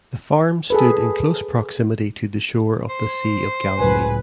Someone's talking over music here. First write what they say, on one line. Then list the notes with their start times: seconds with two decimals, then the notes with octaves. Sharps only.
The farm stood in close proximity to the shore of the Sea of Galilee.
0.70 G#4 A4 B4
2.89 C5
3.78 C#2 A2 F#3 B4 G#5